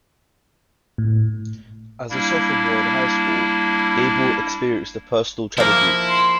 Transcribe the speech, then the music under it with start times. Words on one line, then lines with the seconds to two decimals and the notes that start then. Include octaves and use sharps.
As a sophomore in high school, Gable experienced a personal tragedy.
0.98 A2
2.10 G3 A#3 D4 E4
5.58 F3 A#3 E4
6.10 C6